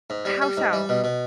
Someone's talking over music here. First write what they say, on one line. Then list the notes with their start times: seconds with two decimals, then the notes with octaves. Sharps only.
How so?
0.10 G#2
0.25 G3
0.42 G3
0.57 G#2
0.73 G3
0.89 B2
1.04 B2